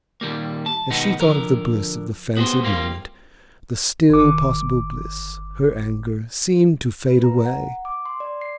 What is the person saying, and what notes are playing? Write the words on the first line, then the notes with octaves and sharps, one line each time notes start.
As she thought of the bliss of the fancied moment, the still possible bliss, her anger seemed to fade away.
A#2 D#3 G3 A#3
A5
B2 D#3 G#3 B3 D#4
D3 F3 A#4
B3 F#4 G#4 C5
G3 A#3 C4 F4
G1 D#3 D6
B4
A#5
F#5
D6
C6
D5
C7